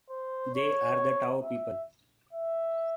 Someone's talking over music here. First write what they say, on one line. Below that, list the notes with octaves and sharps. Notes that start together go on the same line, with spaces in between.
They are the Tao people.
C5
C#5
E5
E5